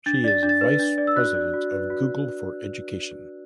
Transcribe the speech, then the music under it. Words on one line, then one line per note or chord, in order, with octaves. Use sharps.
She is vice president of Google for Education.
D4 A6
D5 A6
D4
A6
B4
A6
D4
D5
E6
F#4 F#6
D5
F#4
B4
F#4